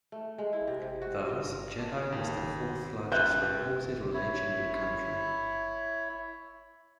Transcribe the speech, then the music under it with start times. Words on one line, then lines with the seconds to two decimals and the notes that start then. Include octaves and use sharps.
Thus, "Jedi" was the fourth-largest reported religion in the country.
0.12 A3
0.38 G#3
0.53 E4
0.68 C3
0.82 C3
1.02 F#4
1.28 F4
1.44 A#4
1.78 D4
2.12 D#2
3.12 C#2 B4 E5 F#6 G6
4.14 E4 C#5